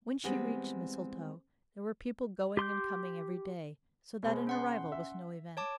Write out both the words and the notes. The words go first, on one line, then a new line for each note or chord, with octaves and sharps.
When she reached Mistletoe there were people going and coming every day, so that an arrival was no event.
E3 G3 G#3 B3 C4
G4 C6 D6 G6
B2 G#3 C5
C#4 F#5 C6
E5
C#5 A5 D6